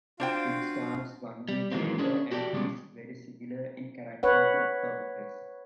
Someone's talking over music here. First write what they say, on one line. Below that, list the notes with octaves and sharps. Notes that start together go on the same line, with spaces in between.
It starts one week later and is very similar in character to Oktoberfest.
D4 F4 F#4 C5 F5 G5
G3
D#3 E3 F#3 G#3 A#3 C4
C#4 D4 G#4 A#4 C#5
F#4 G4 A4 D5
D3 G3 G#3 C4 C#4
B4 C#5 F#5